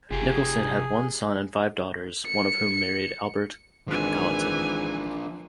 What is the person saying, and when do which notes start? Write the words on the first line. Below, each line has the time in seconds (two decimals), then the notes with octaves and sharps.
Nicholson had one son and five daughters, one of whom married Albert Gallatin.
0.11 F#1 C3 F4 G4 G#4
2.27 C#7
3.88 G#1 E3 F3 D4 G#5